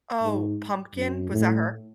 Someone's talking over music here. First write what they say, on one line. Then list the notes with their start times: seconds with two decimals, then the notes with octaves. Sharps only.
Oh, Pumpkin? Was that her?
0.22 G#2
0.95 F#2
1.31 A2